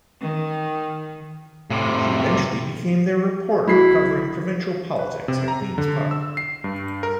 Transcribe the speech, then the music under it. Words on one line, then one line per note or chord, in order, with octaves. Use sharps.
She eventually became their reporter covering provincial politics at Queen's Park.
D#3
A2 C3
B1 E4 F#4 C7
B4
C3
A#5
D3
E6
C7
G2
A#4